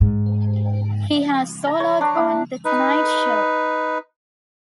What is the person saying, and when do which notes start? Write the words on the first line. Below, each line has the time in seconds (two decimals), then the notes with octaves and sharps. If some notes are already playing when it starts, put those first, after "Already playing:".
He has soloed on "The Tonight Show".
0.01 G#2
1.67 A#5
1.80 C#5
2.01 D4
2.15 E4
2.65 D#4 B4